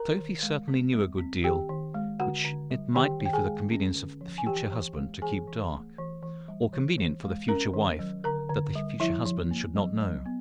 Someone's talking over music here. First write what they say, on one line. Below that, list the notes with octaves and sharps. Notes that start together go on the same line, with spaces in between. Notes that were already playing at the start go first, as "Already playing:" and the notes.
Sophie certainly knew a good deal, which it might be for the convenience of the future husband to keep dark--or convenient for the future wife that the future husband should not know.
Already playing: A#4 A#5
D#3
G#3
C4
G3
C4
D#3 G4 G5
D#3
G#3
D3 F#4 F#5
D3
G3
D#3 G4 G5
D#3 G5
G#4 G#5
G#3
C#4
D3
F3
G#5
E3 G4 G5
E3
G#3
E3 G#4 G#5
E3
A3
E3
E3
G3
E3
E3
G#3
C#4 A#4 A#5
D#3
F#3
D3 A#4 A#5
D3
G3
F3 E4 E5
F3
A#3
F#3
F#3
B3